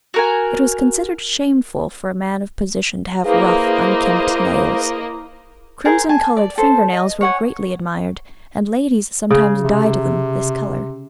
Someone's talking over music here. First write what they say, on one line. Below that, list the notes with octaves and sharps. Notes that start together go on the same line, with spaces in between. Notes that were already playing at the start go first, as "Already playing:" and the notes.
It was considered shameful for a man of position to have rough unkempt nails. Crimson-coloured finger-nails were greatly admired; and ladies sometimes dyed them this colour.
F#4 A#4 G#5
A#3 E4 G#4 B4 C5 D#5 F5
G#4 A#4 C5
G#5 A5
D5
A4 C5
D#5
C#5 F#5 G#5
C#3 G#4
C3